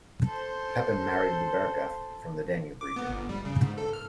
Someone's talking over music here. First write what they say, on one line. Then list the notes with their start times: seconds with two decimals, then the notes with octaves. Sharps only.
Pepin married Leutberga from the Danube region.
0.24 A4 C5
2.81 D6
2.96 B3
3.10 G1
3.29 G3
3.45 C#3
3.61 G#2
3.78 A4
3.93 F6